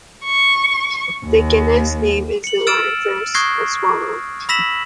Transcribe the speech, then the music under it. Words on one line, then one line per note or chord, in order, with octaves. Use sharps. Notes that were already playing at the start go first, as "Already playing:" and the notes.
The genus name is the Latin for a swallow.
C#6
D#2
C#7 F#7
E6 F6 A6 D7 E7
C#6 D#6 F#6 G#6 A#6 C7
B5 E6 A#6 B6 E7 F#7